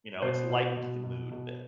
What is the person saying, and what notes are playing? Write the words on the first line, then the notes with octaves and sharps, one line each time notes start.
you know, it's lightened the mood a bit.
B2 C5
B2
B2
B2
B2